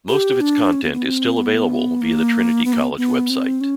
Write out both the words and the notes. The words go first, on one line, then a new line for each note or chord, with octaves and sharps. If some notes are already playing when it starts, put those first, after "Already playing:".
Most of its content is still available via the Trinity College website.
G4
D4
C#4
B3
B3
C4
B3
A#3
B3
A#3
B3
B3
C4
C#4